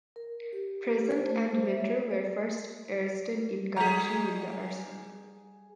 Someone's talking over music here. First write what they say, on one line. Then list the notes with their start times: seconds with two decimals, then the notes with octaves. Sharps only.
Present and Mentor were first arrested in connection with the arson.
0.16 A#4
0.53 G4
0.85 G4
1.11 C5
1.26 A3
1.51 C5
1.65 E5
1.80 C#5
2.11 D5
3.76 G3 G#4 A#5 B6